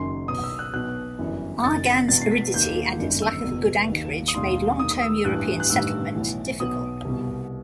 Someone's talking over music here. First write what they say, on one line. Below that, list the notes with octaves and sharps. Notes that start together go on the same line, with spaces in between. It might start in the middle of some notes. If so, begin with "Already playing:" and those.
Arguin's aridity and its lack of a good anchorage made long-term European settlement difficult.
Already playing: F#1 F#2 D#3 C6
B1 B2 D#6
E6
F#6
B1 B2 F#6
G1 F#2 E3
F#1 F#2 D#3 A6
B6
E1 E2 B2 A6
C7
B6
D#2 D#3 G6
G1 F#2 D#3
E6
F#1 E2 B2
D#2 D#3
D#6
E1 D#2 D#3 C6
D#2 D#3 D#6
D#6
E6
A1 G2 E3 F#6
F#6
A1 G2 D#3 E6
B1 A2 E3
B1 B2 D#6
C2 B2